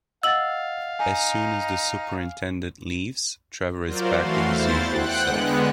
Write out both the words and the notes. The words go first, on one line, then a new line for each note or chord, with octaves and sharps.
As soon as the superintendent leaves, Trevor is back to his usual self.
D#5 F5 F#5 E6 A6 F#7
D#4 G#5
F#3 F4 A#4 C5 D5
E3 A3 F#4 F5 C6
E2 E4 C5 A6
F#5 G5 F#6
D3 G#3 B3